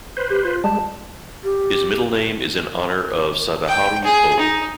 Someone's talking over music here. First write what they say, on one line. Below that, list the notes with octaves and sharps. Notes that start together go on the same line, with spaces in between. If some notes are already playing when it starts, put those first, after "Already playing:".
His middle name is in honor of Sadaharu Oh.
B4 C5
G4
F4
G3 G#3 A5
G4
G5
G#4
D#4